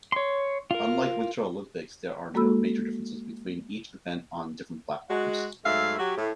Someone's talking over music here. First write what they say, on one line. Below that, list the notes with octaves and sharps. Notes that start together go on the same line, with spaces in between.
Unlike "Winter Olympics", there are no major differences between each event on different platforms.
C#5 C6
F4 A#4
G#3 A#3 F#4 A4 B5 E6
G#3 F#4
G#2 F#3 G#3 A3 E5 F5
F#3 F#4 G4
A2